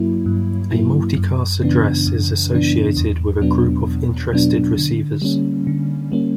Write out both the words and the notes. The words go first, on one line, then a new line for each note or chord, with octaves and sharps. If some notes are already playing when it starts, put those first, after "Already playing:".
A multicast address is associated with a group of interested receivers.
Already playing: G2 F#3 A#3 E4
G2
F#3 A#3 E4
F#2
C#3 E3 B3 D4
F#2
C#3 E3 B3 D4
E2
B2 F#3 B3 D4
E2
B2 F#3 B3 D4
D3
G3 A#3 C#4
D3
G3 A#3 C#4